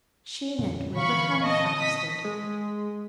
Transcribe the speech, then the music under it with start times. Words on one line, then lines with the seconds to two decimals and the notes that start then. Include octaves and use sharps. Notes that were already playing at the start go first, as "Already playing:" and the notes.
She and Edward were handfasted.
0.59 F2 A#2 D3
0.96 A#2 D3 E3 F5 B5 C#6
1.42 D#5 A5
1.75 D#6 B6
2.25 G#3